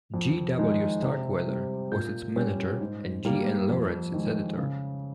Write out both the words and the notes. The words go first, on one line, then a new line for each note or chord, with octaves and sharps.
G. W. Starkweather was its manager and G. N. Lawrence its editor.
F2
D#3 G#3 D#4
C3
G3 C4
A#2 G6
G3 C#4
G#2
G3 A#3
F2
D#3 G#3
C#3